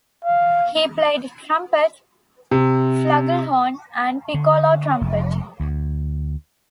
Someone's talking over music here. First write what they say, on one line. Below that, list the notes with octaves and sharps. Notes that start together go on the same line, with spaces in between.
He played trumpet, flugelhorn, and piccolo trumpet.
F5
C3
D3
F1
D2